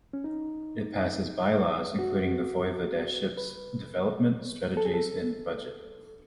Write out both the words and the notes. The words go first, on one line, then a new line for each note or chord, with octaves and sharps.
It passes bylaws, including the voivodeship's development strategies and budget.
C#4
D#4
F#4
B4
A4
G#4
A4